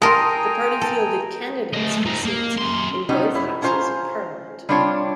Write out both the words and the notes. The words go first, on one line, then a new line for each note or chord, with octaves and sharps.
The party fielded candidates for seats in both houses of Parliament.
A4 A#4 G5 G#5 A#5 C6 D#6
A4
A3 D#5
C4 D#4
A#3
F#2 C6
G3 B3 C#4 D#4
F#2 E4
C#4 D4 F4 C5 G#5 A#5
G3 C4 D4 F4 C#5